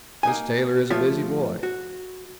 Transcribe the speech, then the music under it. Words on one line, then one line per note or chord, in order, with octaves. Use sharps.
This tailor is a busy boy.
A#3 D#4 G#5
F3 A3 F4 C#5 E5
F#4